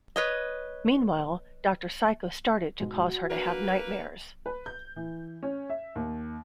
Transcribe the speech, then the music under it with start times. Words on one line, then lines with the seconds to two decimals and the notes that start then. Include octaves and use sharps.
Meanwhile, Doctor Psycho started to cause her to have nightmares.
0.16 B4 C#5 D#5
2.80 G#2 B2 G#3 F#4
3.30 A#3 D4 B4
4.46 B4
4.66 G6
4.96 E3
5.43 C#4
5.70 E5
5.95 D#2